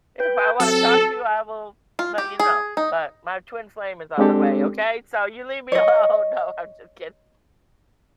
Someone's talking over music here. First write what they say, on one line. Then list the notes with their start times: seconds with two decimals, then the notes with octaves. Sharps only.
if I wanna talk to you, I will let you know, but my twin flame is on the way, okay? So you leave me alone. No, I'm just kidding.
0.20 B4 G5
0.60 F#3 C4 A4
1.99 F4
2.18 G4
2.40 G#4
2.77 D#4
4.18 G#3 C4 D4 G4 A4
5.72 C#5 D#5